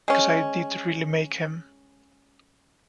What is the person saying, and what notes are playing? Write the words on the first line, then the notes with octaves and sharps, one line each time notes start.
Because I did really make him.
G#3 C#4